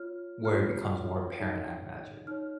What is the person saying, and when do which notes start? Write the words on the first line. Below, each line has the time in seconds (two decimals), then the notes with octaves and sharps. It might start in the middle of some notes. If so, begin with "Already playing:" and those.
where it becomes more apparent, I imagine,
Already playing: F4 C#5 F6
0.45 F4 C#5 F6
1.37 D#4 C#5
2.27 D#4 C#5 F6